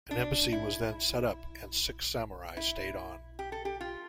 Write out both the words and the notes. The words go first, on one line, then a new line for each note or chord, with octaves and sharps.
An embassy was then set up and six samurai stayed on.
D4
E4
E4
G4
A4
G4
F4